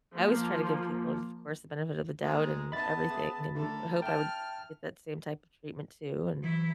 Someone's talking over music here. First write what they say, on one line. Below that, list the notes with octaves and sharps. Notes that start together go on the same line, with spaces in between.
I always try to give people, of course, the benefit of the doubt and everything, and I hope I would get that same type of treatment, too. And
F3 A#3
G#3 A#3 A#4
B3 D#5 E5 A5 B5 A6
G#4 E5 D#6
D3 A3 A4 A#4
E5 G5 A5 F6
E3 F#3 E4